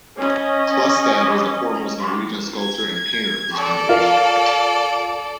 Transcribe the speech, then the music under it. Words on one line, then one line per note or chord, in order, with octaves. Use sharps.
Klukstad was the foremost Norwegian sculptor and painter of his generation.
C#4 D#5
G#6
A4 D5
F4 A#4 F5